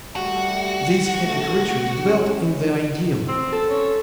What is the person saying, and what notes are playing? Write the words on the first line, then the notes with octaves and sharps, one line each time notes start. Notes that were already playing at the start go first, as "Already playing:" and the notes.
These happy creatures dwelt in the ideal.
G3 A3 F#4 G4
C#3 A3
A2 C#4
C4
A4
C#4